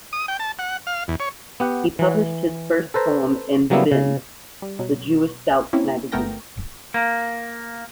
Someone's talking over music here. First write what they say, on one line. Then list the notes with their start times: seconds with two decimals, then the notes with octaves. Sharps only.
He published his first poem in "Bin", the Jewish scouts magazine.
0.13 D#6
0.28 G5
0.40 A5
0.59 F#5
0.87 F5
1.08 E2
1.20 C#5
1.60 B3 G4 F#5
1.99 E3
2.94 A4 B4 C5 A#5
3.70 C#3 F#3 G3 A#3 B3 E4
3.92 C#3
4.62 G3
4.79 B2 F#3
5.73 A#3 C4 C#4 E4
6.12 G1 A3 B3 A#4 G5 A#6
6.94 A#3